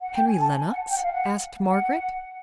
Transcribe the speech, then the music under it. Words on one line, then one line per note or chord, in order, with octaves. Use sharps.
Henry Lennox?' asked Margaret.
F#5
G5
G#5
A5
G#5
F#5
G5
F#5
F5
F#5
F#5